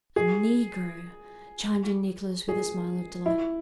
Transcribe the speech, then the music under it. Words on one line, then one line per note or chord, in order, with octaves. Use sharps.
"A Negro," chimed in Nicholas with a smile of delight.
G#4
G#4
E4